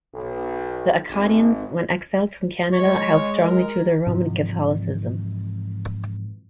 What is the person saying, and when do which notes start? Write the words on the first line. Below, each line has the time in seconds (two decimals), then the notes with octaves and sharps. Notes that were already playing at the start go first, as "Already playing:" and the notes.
The Acadians, when exiled from Canada, held strongly to their Roman Catholicism.
0.14 B1
1.09 G#1
2.72 G#3 C#5
3.42 A#4
4.07 G#2 C3 E3 F3